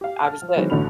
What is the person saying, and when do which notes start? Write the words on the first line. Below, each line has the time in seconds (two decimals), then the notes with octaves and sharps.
I was good.
0.01 G4 F5
0.23 A5 F6
0.42 F3
0.56 D#3 E3 F#3 G#3 C4
0.70 A1 D3 A3 F#4 B5 F7